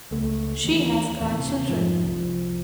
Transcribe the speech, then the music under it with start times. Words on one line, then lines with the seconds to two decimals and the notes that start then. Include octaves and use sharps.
She has grandchildren.
0.11 C#2 A3
0.64 D#2 E3
1.21 D#1 E2
1.37 C3
1.69 F2 G#2 F3
2.03 C2 F3